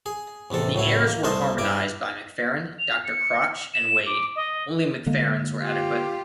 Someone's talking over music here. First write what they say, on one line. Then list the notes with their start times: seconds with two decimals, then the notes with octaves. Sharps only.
The airs were harmonised by Macfarren, Doctor Crotch, and Wade; only Macfarren's were adequate.
0.06 G#4
0.51 A1 E2 C3 A4
0.75 C#2 A2 F#3 E4
1.07 A#3
1.23 C2 A3 C5 D#5 A5
1.58 G2 E4 D6
2.78 F7
3.04 C#7
3.73 E7
4.06 D6
4.36 D#5
5.06 D3 G#3 A#3
5.62 F4 G4